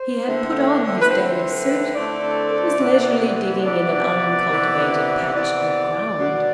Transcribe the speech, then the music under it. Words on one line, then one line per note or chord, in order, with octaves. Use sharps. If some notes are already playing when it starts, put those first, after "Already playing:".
He had put on his daily suit, and was leisurely digging in an uncultivated patch of ground.
Already playing: C5
D3 A3 C4 E4
B4
D3 A3 C4 E4 C5
B4
D3 A3 C4 E4 D5
C3 E3 B3
C3 E3 B3 D5
C3 E3 B3
C3 E3 B3 D5
B2 F#3 B3